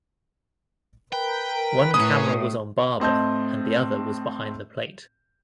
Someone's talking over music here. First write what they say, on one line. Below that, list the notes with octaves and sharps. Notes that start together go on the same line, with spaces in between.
One camera was on Barber and the other was behind the plate.
A#4 B4 G5
A2 C#4 D#6
A2 C4 D#5 A5 G6